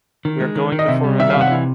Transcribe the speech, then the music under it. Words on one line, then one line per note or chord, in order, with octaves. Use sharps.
We are going to Foradada.
D#3
G#3
D#3
D#3
D#5
C3 E5
G3
D#3 E5
F5
C3 F#5
E3